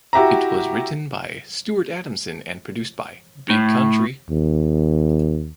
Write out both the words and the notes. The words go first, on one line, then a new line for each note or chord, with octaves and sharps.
It was written by Stuart Adamson and produced by Big Country.
E4 F#4 G4 E5 A#5
A2
D#2